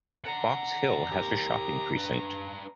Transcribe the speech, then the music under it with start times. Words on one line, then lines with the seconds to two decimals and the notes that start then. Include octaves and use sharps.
Box Hill has a shopping precinct.
0.24 D5 F#5 A#5
1.12 G4 A#4
1.96 D4 B4